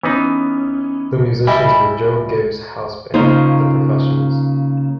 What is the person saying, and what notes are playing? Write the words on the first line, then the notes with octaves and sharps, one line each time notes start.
The musicians were Joe Gibbs' house band, The Professionals.
E3 B3 C#4 D#4
G3 E4 D#5 G#5 B5
C#3 A#3 D#4 F4 C5